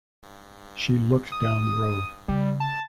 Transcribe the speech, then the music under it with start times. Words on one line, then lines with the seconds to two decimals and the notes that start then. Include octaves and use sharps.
She looked down the road.
1.32 D#6
2.28 C#3 G3
2.60 A5